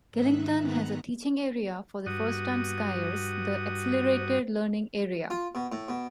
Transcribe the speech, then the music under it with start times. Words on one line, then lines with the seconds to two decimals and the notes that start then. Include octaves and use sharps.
Killington has a teaching area for first-time skiers, the "Accelerated Learning Area".
0.11 G#2 D#3 D#4 E5 F#6
0.60 G#2 D#3 B3 A#5 F#6
2.06 G2 F#4 D#6
5.30 F4
5.55 B2
5.72 A2
5.88 B2